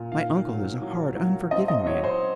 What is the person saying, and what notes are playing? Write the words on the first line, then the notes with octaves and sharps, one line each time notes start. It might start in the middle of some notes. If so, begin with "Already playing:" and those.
My uncle is a hard, unforgiving man.
Already playing: A#2
D#3 F5
F#3
F#3
F#3
C4 D#5
D#5
F#3 C#5
C5